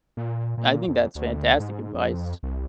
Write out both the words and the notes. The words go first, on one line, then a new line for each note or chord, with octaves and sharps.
I think that's fantastic advice.
A#2
A#2
F2
D2
G#2
F2
C2